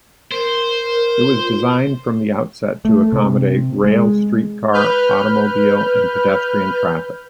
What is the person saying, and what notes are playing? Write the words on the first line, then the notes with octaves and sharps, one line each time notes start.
It was designed from the outset to accommodate rail, streetcar, automobile and pedestrian traffic.
A#4 C5
F4
A3
C3
G#3
B4 F6 G6